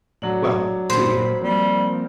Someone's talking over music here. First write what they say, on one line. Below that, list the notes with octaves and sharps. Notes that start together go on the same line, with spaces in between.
Well, see here.
A2 F#3 D4 F#7
A#2 C5 B5
F3 G3 A#3 C4